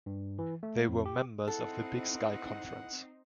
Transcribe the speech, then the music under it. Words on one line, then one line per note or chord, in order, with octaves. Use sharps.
They were members of the Big Sky Conference.
G2
E3
A3
F2
G4
C4 D#4 E4 A4 F#5